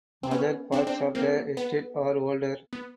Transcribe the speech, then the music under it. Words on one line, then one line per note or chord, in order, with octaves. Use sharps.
Other parts of the estate are older.
C4
B3 C#4
C4 D4
C4 D4
A#3 C4
B3
B3